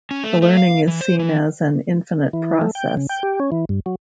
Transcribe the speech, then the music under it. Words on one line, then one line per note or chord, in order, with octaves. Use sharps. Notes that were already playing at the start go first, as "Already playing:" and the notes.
The learning is seen as an infinite process.
C#4
A3
A3
F5
E3
C5
E3
E3
A3
G5
C#3
G5
G4
C#4
E3
G2
F#3